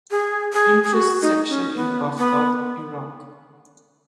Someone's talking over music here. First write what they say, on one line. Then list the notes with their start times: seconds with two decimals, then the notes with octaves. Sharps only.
Interests Section in Baghdad, Iraq.
0.11 G#4
0.53 G#4
0.83 G#4
0.93 F#4
1.22 D#4
1.49 C#4
1.76 B3
2.18 B3